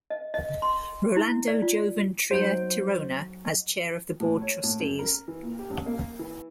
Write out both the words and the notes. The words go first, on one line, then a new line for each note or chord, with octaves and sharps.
Rolando Joven Tria Tirona as chair of the Board Trustees.
D#5
D#5
C6
E4
D5
F4
F#3 D#4 C5 G6 D7
A2
C#5
A2
F#2
A#4
E3
A#2
G4
A1
A#3
E3